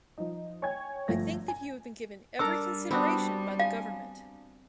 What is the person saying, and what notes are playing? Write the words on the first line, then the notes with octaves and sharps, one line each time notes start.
I think that you have been given every consideration by the Government.
F3 D#4
C#5 G5 G#5 G#6
G1 F3 A3 A#6
G#5
G3 D4 A4 A#4 E6
B3 C4 D4 F#4
F5 G#5